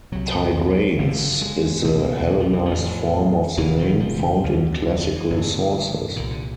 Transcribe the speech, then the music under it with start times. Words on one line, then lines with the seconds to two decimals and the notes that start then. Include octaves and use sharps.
"Tigranes" is the Hellenized form of the name, found in classical sources.
0.12 C2 C3 F#3
0.70 F#3
0.98 G1 F#2 D3
1.42 G#3
1.84 C2 B2 A3
1.99 A#3
2.13 B3
2.28 F#3
2.40 F3
2.53 E3
2.66 F3
2.71 A1 A2
3.57 E1 E2 C#3 E3
3.79 D#3
4.00 F3
4.43 D2 D3
4.86 F#3
5.01 F3
5.15 E3
5.30 A1 G2 D3
6.16 C2 A#2 D#3
6.30 D3